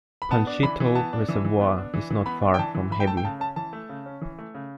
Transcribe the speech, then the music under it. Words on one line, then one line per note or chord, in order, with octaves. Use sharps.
Panshitou reservoir is not far from Hebi.
B5
B3 A5
D4
E3 B5
E3
B3 A5
D4
E3
E3
B3
D4
E3
E3
B3 B5
D4
G5
E3 A5
E3
E3 B5
G5
A3 A5
G5
C#3 A5
C#4 A5
E3 A5
A3
C#3
C#4
E3
A3
C#3